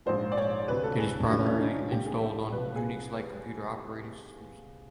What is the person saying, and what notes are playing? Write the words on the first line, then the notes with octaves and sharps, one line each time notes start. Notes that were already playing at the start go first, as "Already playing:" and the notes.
It is primarily installed on Unix-like computer operating systems.
A#1 G#2 F3 C5
D5
C#5
D2 C3 F3 B4
A4
G#4
E1 D#2 C#3 F3 D4
C#4
D4
D#4
D4
F4
C2 A#2 F3 G4
G#4
A4
C2 C3 F3 B4
G#4